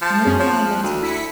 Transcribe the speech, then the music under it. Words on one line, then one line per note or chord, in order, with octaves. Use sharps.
Remember my letter.
F3 A5
F#2 C#4 G#4
F3 C#5
F#6
D2
E4 B6 C#7